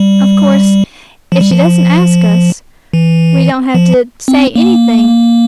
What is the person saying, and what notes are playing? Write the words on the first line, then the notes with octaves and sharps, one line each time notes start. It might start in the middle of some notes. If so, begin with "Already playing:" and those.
Of course, if she doesn't ask us, we don't have to say anything.
Already playing: G3
F3
G3
F3
E3
F3
C4
A#3